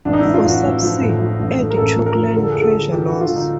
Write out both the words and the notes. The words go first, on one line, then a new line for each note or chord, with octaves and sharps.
For subsea, add choke line pressure loss.
A1 D4
D#4
E4
A1
F4
A1 F#4
A1
F3
A2
F3
A1
A2
A#4
A1 A4
F3
A#4
F3
D3 A#4
A4
D2 G#4
A4
D2
F3 G4
D3 F#4
F4
D2 D#4